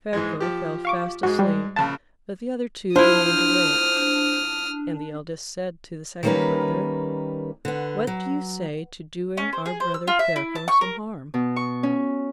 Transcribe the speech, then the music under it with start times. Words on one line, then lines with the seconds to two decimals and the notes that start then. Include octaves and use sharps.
Ferko fell fast asleep, but the other two remained awake, and the eldest said to the second brother, 'What do you say to doing our brother Ferko some harm?
0.13 G#2 E3 G#3
0.40 F3 G4
0.85 F5 C#6 D6
1.23 G#2 G#3 F#4
1.39 G3
1.76 A#1 C#3 A5
2.96 D4 E4 F4 C5 D#6 F6
6.23 D#3 G3 A#3 C#4 A#4 B4
7.65 D3 B3
8.07 F#3
9.37 C#4
9.53 C5
9.66 G#4
9.80 C5
9.94 E6
10.08 F4
10.19 E5
10.36 E4
10.55 A5
10.68 C#6
10.81 A#4
11.34 B2
11.56 C#6
11.83 C#4